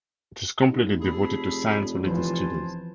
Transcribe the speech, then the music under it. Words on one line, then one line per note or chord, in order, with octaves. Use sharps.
It is completely devoted to science-related studies.
D#2
F1 G#4 A4 B5
E3 F3 B4 C5 G#5 A5